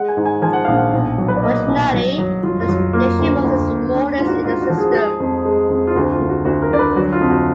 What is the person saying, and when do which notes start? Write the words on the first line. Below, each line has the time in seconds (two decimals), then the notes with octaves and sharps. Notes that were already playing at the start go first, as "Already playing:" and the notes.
Originally, the station was the smallest in the system.
Already playing: G#3 F#5
0.08 G#5
0.17 G#2
0.25 G#5
0.42 F3 G#5
0.53 F#5
0.65 A#1 F5
0.76 F#5
0.93 B1
1.18 F#3
1.28 B4
1.36 D5
1.43 A#3 D#5
1.68 B1
1.94 F#3
2.18 F#3
2.43 F#3 F4
2.60 F4
2.69 F#3
2.77 F#4
2.93 A#3 F4
3.19 D2
3.44 D2
3.68 A#3
3.95 D4
4.18 G#2 F4
4.27 F#4
4.45 G#2 F4
4.61 F#4
4.69 F3
4.78 G#4
4.91 F#4
4.95 G#3 G#4
5.20 F2
5.45 G#3
5.70 F2
5.87 F4
5.95 D2 F#4
6.12 F4
6.20 D2
6.29 F#4
6.45 D2 F#4
6.62 A#4
6.71 D3 D5
6.79 B4
6.96 F#3 F#4
7.12 F4
7.21 F2
7.30 F#4